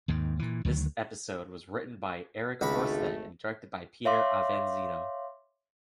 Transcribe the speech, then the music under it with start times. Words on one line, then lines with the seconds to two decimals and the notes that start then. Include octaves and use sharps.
This episode was written by Eric Horsted and directed by Peter Avanzino.
0.08 D#2 G#2 D#3
0.39 A#2 E3
0.65 D2 D#3 F#3
2.61 G#1 C#2 A3 B5
4.05 C#5 E5 F5 C6 D6